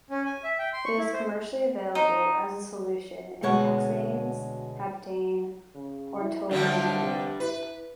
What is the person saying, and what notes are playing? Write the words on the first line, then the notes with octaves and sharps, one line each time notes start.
It is commercially available as a solution in hexanes, heptane, or toluene.
C#4
G#5
E5
G5
C6
C#6
E4
C5
D#4
D2 B2 G#3 C#5 F#5
C#3
E4
G2 D3 F3 F#3 A3
C3
E4 B4